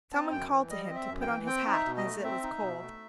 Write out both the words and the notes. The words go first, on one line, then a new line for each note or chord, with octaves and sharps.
Some one called to him to put on his hat as it was cold.
C4 A5
F#2 G5
E3
G3 D#5
C4 D#5
E5
F#2
G5
E3
C4 G5
D#4
E5
B2
D#5
A3
C4 E5
D#4
B2
A3